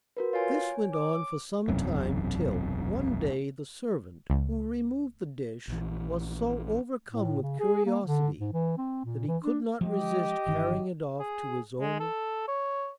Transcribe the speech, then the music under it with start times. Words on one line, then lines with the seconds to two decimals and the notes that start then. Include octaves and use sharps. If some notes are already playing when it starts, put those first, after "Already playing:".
This went on for some time till, one day, the servant who removed the dish was so overcome with curiosity, that he could not resist carrying it off to his own room.
0.17 F#4 A#4 B4
0.33 F4 C#5 G#5
0.93 D6
1.68 E1 B1 F#2 C3
4.30 C#2
5.68 A#1 E3
7.08 A2
7.42 C#3
7.59 G#4
7.86 A#3
8.04 D3
8.40 G#2
8.53 E3
8.78 C4
9.05 A#2
9.27 E3
9.44 D4
9.81 F3 F#3 G#3 G4 D#5
10.46 G1 D#3 E3
11.20 G#4
11.80 G#3
12.00 A4
12.48 C#5